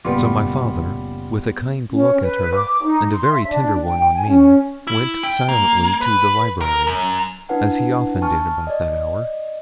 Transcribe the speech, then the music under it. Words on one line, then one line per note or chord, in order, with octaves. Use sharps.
So my father, with a kind look at her, and a very tender one on me, went silently to the library, as he often did about that hour.
F#1 A#2 G3 B3 F4
C#4
B4
D6
D#4
C6
E5
D4
G5
G#5
C#4
E4
G5
A#3
B4
A#4
F#2
D4 E4 B4 F#5 A5
G#5 A5 C#6 F6
D5 D#5